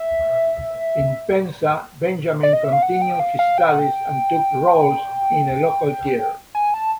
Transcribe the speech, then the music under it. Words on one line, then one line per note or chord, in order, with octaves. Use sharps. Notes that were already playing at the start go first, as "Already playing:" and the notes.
In Penza, Benjamin continued his studies and took roles in a local theatre.
Already playing: E5
D5
D#5
E5
F5
F#5
G5
F5
F5
G5
F#5
G5
G#5
A5